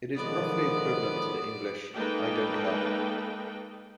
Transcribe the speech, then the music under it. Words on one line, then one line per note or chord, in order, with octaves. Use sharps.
It is roughly equivalent to the English 'I don't care'.
A2 D#3 F3 G#3 B3 D5 D#6
G#3 A#3 D#4 A4 B4 G5